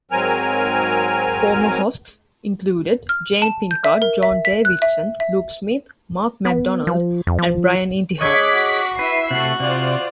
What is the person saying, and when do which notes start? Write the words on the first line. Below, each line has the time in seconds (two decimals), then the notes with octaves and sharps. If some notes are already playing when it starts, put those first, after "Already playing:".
Former hosts included Jane Pinckard, John Davison, Luke Smith, Mark MacDonald and Bryan Intihar.
0.11 G#2 F#3 C4 A#4 G#5 F6
3.09 F6
3.42 A5
3.71 G6
3.84 E5
4.02 A#4
4.23 E5
4.45 B6
4.65 F#6
4.82 E5
5.20 E5
6.45 B3
6.87 F3
7.27 F2
7.39 F3
8.21 G#4 C#5 D#5 C#6 D6 F#6 B6
8.51 F#4
8.99 E4 B4 E5 C7
9.31 C3 A3 F#4 F#6
9.60 C3 F4 C5 D5